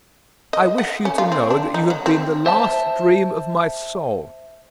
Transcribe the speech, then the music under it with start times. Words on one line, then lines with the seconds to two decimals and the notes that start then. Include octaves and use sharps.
I wish you to know that you have been the last dream of my soul.
0.53 D#5
0.78 F#5
1.05 C#4
1.18 F4
1.32 C4
1.50 D4
1.74 D#4
1.90 F#3
2.06 C4
2.46 C5 E5 A5